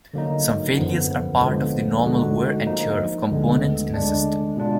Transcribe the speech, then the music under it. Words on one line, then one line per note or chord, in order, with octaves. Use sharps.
Some failures are part of the normal wear-and-tear of components in a system.
D3 F#3 A#3 D#4
F#2 D3 F3 B3
D3 F3 G#3 B3
D3 G#3 D#4 F#4
F3 A#3 D#4
D2 D3 G#3 B3
D3 G#3 D4
B2 G#3 D4 F4